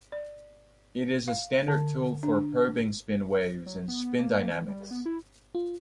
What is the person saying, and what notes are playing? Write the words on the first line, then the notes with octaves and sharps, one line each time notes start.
It is a standard tool for probing spin waves and spin dynamics.
D5
F5
D3
D4
F#3
B3
B3
A#3
E3
G3
B3
E4
F4